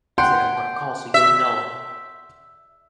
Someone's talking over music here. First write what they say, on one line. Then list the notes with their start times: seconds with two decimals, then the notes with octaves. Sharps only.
It's an important call so you'll know
0.18 F#5 G5 C6
1.14 E5